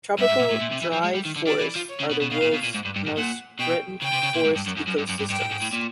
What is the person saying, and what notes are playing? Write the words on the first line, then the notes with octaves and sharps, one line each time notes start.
Tropical dry forests are the world's most threatened forest ecosystems.
G2 E5
G#2
A#2
A2
A#2
C3
E3
F3
G#3
G3
D#3
D3
D#3 D5
E3
F3
C#5
C#3
B2
B2
B2 F5
A#2
B2
A#2
G#2
G2
G2
G#2
A#2 F#5
B2 G5
C#3 G5
C3
C#3
A#2
G#2
G2
F#2
F#2
F#2
G2
F#2
G2
G2 G5
A2
G#2
A2
A#2